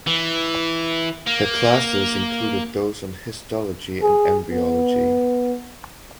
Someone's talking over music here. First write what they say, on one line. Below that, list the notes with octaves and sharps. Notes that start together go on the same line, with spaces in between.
Her classes included those on histology and embryology.
E3
A#3
G#4
B3